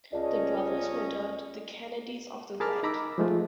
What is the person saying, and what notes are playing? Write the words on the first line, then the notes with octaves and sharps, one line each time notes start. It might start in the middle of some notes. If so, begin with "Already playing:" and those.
The brothers were dubbed "the Kennedys of the Right".
C#2 C#4 D5 D#5 A5
G#4 A#4 A5 B5 D6 F6
D#4 A#5 B5 D6 E6
F3 G#3 A3 F4